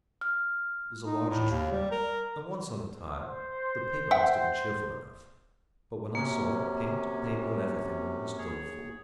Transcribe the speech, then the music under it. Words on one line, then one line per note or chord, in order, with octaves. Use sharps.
It was a largish room, and once on a time the paper must have been cheerful enough, but when I saw it, paint, paper, and everything were most doleful.
F6
D#4
A2
D#2
G3
A#4
C5
E5 F#5 G5
F#2 C3 A#3 C#4
G#4 C#5